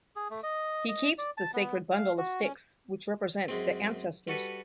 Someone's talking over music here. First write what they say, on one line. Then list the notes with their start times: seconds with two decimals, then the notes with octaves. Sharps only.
He keeps the sacred bundle of sticks which represent the ancestors.
0.16 G#4
0.30 A3
0.43 D#5
0.88 D#5
1.18 D5
1.38 A5
1.54 B3
1.92 F5
2.18 F#4
2.43 C#4
3.48 F#2 G#3 C4
4.27 G3 F#4 A4 B4